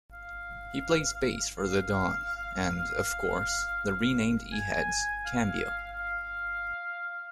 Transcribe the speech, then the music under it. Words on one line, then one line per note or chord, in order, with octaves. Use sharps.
He plays bass for The Dawn and, of course, the renamed Eheads, Cambio.
F5
F5
G#5
F5
F5